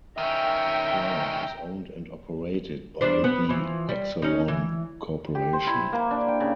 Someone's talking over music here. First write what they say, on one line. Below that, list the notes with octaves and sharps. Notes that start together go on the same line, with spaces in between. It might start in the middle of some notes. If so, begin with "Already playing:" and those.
The plant is owned and operated by the Exelon Corporation.
D#3 C#4 E5 G5 A#5
G3 D4 C5
G3 B3
E3 F3
G3
C#4 D#4
E3
G4
C5
E4
A#3
D4
G5
C#3